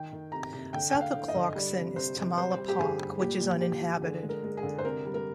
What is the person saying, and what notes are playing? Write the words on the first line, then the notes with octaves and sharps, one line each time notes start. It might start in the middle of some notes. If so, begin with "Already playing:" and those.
South of Clarkson is Tamala Park, which is uninhabited.
Already playing: D#3 G5
D#3
C3 A#5
C3
D3 G5
D3 G5
F5
D3
D#5
D3
G3 D5
C3
C3 C5
C3
G3 C5
G3
G4
D3 G#4
G3
A#2 G4
A#2
F3 G4
F3
D3 G#4
G#3
A#4
G#3
G#4
D3
C5
C3 A#4
G3
A#4